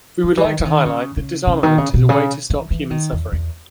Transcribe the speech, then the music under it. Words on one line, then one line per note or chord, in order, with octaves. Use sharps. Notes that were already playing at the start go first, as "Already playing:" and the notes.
We would like to highlight that disarmament is a way to stop human suffering.
D#3
E3
D#3
E3
D#3
C#3
C#3
C#3
D#3
C#3
B2
C#3
E3
E3
D#3
E2
E2